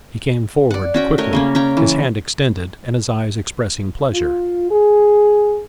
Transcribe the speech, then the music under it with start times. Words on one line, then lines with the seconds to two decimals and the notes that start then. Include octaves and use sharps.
He came forward quickly, his hand extended, and his eyes expressing pleasure.
0.70 D5 F#5
0.94 C#4 F#4 G5
1.18 A3 A#4 C#5 D#5
1.33 C#3 A#3 C#4
1.55 C#4 G5 A#5
1.77 E3
4.14 F4
4.71 G#4